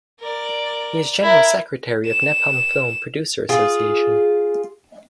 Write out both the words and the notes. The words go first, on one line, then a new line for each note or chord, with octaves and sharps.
He is General Secretary of Nepal Film Producer Association.
A#4 D5
E4 A#4
E7
F4 G#4